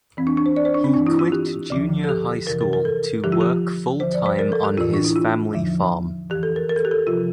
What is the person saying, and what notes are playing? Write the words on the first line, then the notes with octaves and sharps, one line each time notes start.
He quit junior high school to work full-time on his family farm.
F2 E3 C4
D4
D4
C5
D5
C5
D4
C4
G2 E3 D4
E4
F4
G4
D2 D3 F3
A4
G4
F2 C3 E3 A#4
A#4
A#4
A4
F2 D3 F3 G4
F4
G4
D2 D3 F3 C5
D5
C5
A#4
A4
G4
A2 E3 F4
D4
E4
F4
E2 D3 F3
F2 E3 G4
A4
A#4
A#4
A4
G4
A4
C3 F3 F4